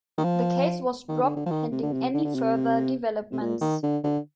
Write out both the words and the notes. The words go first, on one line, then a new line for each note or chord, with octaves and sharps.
The case was dropped pending any further developments.
D#3
F3
D#3
D3
D3
F3
D#3
C3
D3
C3
D3
D3
C3
C3
A#2
D#3
D3
D3